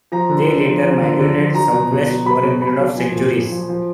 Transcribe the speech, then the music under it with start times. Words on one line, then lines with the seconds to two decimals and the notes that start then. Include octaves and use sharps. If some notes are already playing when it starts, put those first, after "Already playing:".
They later migrated south West over a period of centuries.
0.12 F3 A#5
0.29 D3
0.47 D3
0.66 F3
0.84 F3
1.01 D3
1.19 D3
1.37 F3
1.55 F#3 A#5
1.72 B2
1.91 B2
2.09 F#3
2.26 F#3 B5
2.44 B2
2.62 B2 B5
2.79 F#3
2.97 F3 G#5
3.15 A#2
3.33 A#2
3.51 F3
3.69 F3